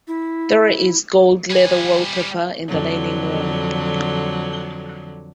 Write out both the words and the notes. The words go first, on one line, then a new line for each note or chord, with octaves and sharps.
There is gold leather wallpaper in the dining room.
E4
G3 G#5
F2 D3 F#3